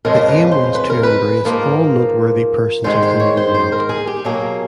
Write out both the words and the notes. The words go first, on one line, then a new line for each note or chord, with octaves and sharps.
The aim was to embrace all noteworthy persons of the New World.
F2 C#3 F3 G#3 A#4
B4
C5
B4
A#4
B4
G#2 F3 A#3 A#4
G#2 D#3 G#3 C5
C5
C#5
C5
C5
A#4
G#4
G4
B2 F#3 A#3 G#4